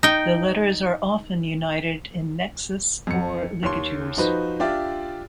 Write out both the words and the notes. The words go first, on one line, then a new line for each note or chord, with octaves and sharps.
The letters are often united in nexus or ligatures.
D#4 G5
F2 C#7
D#2 C#5 C6
F3 D#4 F#4 B4 C5
D4 F4 G4 D5 E5